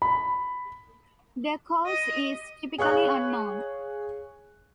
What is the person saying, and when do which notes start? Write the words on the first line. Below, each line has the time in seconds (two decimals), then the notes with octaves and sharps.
The cause is typically unknown.
0.02 B5
1.86 D#5
2.78 G#4 C#5 F5 C#6 F#6